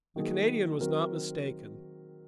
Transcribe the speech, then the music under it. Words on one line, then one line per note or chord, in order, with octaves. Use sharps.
The Canadian was not mistaken.
D#3 F#3 A#3 D#4 G#4
D#3 F#3 C4 F#4 A#4